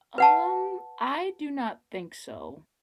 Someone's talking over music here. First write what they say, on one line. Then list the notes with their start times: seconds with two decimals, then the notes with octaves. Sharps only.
Um, I do not think so.
0.18 B4 F#5 A5